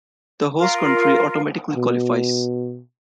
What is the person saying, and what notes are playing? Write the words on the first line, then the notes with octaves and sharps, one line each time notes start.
The host country automatically qualifies.
F4 A#4
B2